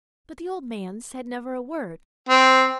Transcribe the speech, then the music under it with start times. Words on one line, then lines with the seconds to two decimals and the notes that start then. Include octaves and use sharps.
But the old man said never a word.
2.29 C4